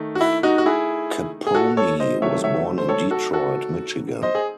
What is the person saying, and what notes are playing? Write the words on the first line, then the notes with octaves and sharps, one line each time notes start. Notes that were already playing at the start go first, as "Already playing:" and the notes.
Caponi was born in Detroit, Michigan.
Already playing: D#3 A3
F#4
E4
D#4 F#4
F#4
E4 G#4
G#4
F#4 A4
A4 C#5
C5 D#5
C3 D#3 F#3 A3 C#5 E5
C#5 E5
C5
A4 C#5
F#4 A4
F#4 A4
C5 D#5
G#4